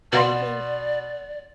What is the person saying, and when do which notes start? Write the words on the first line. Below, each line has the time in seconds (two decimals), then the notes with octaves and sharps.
I think,
0.13 B2 B4 D5 F#5 C6